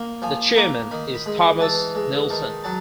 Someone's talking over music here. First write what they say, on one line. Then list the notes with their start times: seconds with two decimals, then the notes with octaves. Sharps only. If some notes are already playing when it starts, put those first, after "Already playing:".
The chairman is Thomas Neelsen.
Already playing: A#3
0.22 F3 G#5
0.56 A#3 A#5
0.91 D#3 B5
1.15 B5
1.26 G#3
1.60 E3 A5
1.95 G#3
2.30 D#3 A5
2.64 F#3 A5